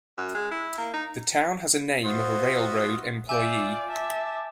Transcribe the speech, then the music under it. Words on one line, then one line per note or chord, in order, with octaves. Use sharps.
The town has the name of a railroad employee.
F#2
G#3
E4
A#3
D#4
B3 F4 F#4 C5 D#5 E5
F4 D5 E5 G#5 D6 G6 D7
E5 A5